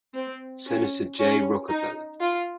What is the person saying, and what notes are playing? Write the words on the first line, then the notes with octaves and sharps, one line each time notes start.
Senator, Jay Rockefeller.
C4
C#4
C#4
D#4
F4